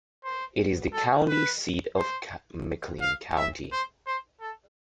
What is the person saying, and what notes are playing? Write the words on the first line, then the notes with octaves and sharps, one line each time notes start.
It is the county seat of McLean County.
C5
A4
B4
C5
F5
E5
C5
C5
A4